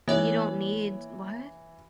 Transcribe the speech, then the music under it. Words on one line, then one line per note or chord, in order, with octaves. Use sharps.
you don't need what?
E3 A#3 C#5 E5